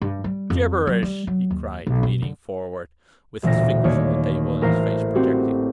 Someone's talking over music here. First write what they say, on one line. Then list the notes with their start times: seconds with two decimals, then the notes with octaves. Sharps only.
"Gibberish!" he cried, leaning forward, with his fingers on the table and his face projecting.
0.02 G2
0.24 G3
0.50 F2
0.87 F#3
1.03 G3
1.27 F#3
1.51 D#2
1.87 B1
2.03 B2
2.22 D3
3.43 E1 D2 A#2 A#6
3.84 D#2 A#3 C#5 D5
4.61 A1 A#4 C5 F5 A#5
5.15 C4 F#4 G4